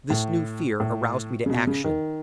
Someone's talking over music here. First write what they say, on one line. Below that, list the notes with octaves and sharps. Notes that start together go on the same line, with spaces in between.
This new fear aroused me to action.
A2
A2
C#3
B2
C#3
D#3